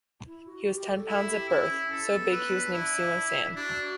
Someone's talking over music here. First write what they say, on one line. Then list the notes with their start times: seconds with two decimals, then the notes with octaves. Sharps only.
He was ten pounds at birth, so big he was nicknamed "Sumo Sam".
0.26 E4
0.46 F#4
0.67 G4
0.88 A4
1.08 E4 A4
1.28 G4
1.49 C#4 E4
1.70 C#4
1.91 C#4 A4
2.12 B3
2.32 B3 B4
2.53 D4
2.73 E4
3.56 D4 F#4